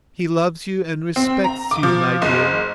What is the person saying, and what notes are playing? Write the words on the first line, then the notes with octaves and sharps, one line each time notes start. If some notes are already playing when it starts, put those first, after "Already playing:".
He loves you and respects you, my dear.
C4
A#5
D6
F3
F#1